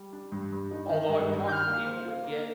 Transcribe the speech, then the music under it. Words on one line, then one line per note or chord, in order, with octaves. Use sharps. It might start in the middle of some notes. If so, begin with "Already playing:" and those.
although I've talked to people that get
Already playing: G3
D4
G2
G2
D#4
D#3
G2
G2
D#3 F6 G6
A#3
C5
F4
A#3